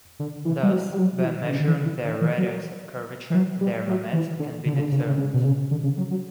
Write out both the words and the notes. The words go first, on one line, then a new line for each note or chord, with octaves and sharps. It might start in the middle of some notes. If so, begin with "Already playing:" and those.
Thus, by measuring their radius of curvature, their momentum can be determined.
D3
E3
G3
F#3
G3
F#3
F#3
E3
D3
C#3
D3
E3
E3
D3
E3
F#3
E3
F#3
G3
F#3
E3
D3
D3
C#3
D3
C#3
D3
C#3
C#3
B2
C#3
D3
C#3
F#3
F#3